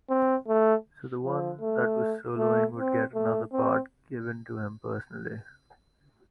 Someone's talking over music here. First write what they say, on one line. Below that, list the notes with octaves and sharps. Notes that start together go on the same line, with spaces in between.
So the one that was soloing would get another part given to him personally.
C4
A3
F3
A3
A3
C4
A3
C4